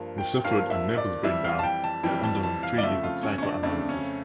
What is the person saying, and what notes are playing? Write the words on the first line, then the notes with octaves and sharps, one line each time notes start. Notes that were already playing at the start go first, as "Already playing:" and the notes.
He suffered a nervous breakdown and underwent three years of psychoanalysis.
Already playing: G2 F3 A#3
G5
G2 F3 A#3 F5
E5
D5
F2 E3 G3 E5
F5
A5
G5
A5
F2 E3 G3 G5
A5
A5
F5
D5
F2 C#3 F3 A3 E5
F4
C#4
C#4
D4
F2 C#3 F3 A3 D4
C#4